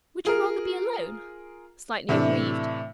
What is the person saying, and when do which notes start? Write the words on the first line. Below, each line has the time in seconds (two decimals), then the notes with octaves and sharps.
"Would you rather be alone?" slightly aggrieved.
0.25 F4 G#4 A#4
2.09 A2 C3 E3 D4